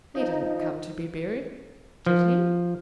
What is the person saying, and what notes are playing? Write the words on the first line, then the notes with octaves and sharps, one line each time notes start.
"He didn't come to be buried;--did he?"
F3 D#4
F3